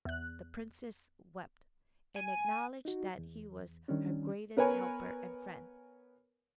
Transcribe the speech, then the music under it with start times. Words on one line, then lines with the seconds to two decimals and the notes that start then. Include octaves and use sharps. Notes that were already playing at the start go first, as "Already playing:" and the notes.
The princess wept, and acknowledged that he was her greatest helper and friend.
0.05 E2 F#6
2.16 G#5
2.85 D#4 F#4
3.18 E2
3.88 D#3 G3 C#4 D4
4.57 B3 A#4 B4 C#5 G#5